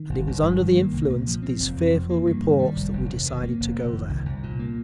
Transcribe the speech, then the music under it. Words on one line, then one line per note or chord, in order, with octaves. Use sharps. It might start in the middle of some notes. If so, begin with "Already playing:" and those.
And it was under the influence of these fearful reports that we decided to go there.
Already playing: D#3
G1
G1
G2
D#3
A#3
C2
A#2
F3
C4
F1
F2
F3
A#3
G2
D#3
G3
F1
F1
D#2
D#3
A#3
F1
F2
D#3
C2
C2
A#2
A#3